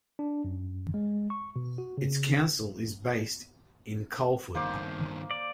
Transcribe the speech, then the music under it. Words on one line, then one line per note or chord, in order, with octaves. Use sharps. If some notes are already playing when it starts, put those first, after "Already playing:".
Its council is based in Coleford.
D4
F#2
G#3
C#6
B2
F#4
C#3
G2 D#3 A#3 C5 D6
D5